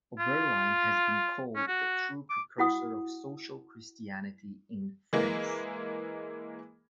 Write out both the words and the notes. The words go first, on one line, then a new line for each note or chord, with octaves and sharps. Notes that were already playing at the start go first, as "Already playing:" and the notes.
Oberlin has been called the true precursor of social Christianity in France.
F4
C#4
F#4
D6
E4 F#4 F#5 D#6
E3 G#3 A#3